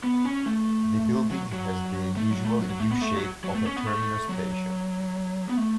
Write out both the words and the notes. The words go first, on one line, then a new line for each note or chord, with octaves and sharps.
The building has the usual U-shape of a terminus station.
B3
C#4
A3
F#3
F#3
A3
F#3
A3
F#3
F#3
A3
B3
A3
F#3
F#3
A3
C#4
B3
A3
F#3
B3
A3